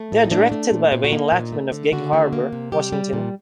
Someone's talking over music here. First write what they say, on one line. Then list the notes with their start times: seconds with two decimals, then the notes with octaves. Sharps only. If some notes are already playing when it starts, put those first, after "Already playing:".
They are directed by Wayne Lackman of Gig Harbor, Washington.
Already playing: A3
0.12 A2
0.25 D#4
0.32 A3 D4
0.52 A3
0.72 A#2
0.92 A#2
1.04 F#4
1.12 A#3 D#4
1.32 A#2
1.52 A3
1.72 D3
1.92 D3 F#4
2.13 A3
2.33 A#3
2.53 C3
2.72 G3 G4
2.93 G3
3.13 A#2